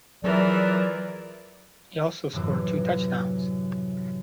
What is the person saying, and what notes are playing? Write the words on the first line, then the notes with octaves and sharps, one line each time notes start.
He also scored two touchdowns.
E3 F#3 F4 G#4 A#4 D5
F#2 A2 C3 E3 F#3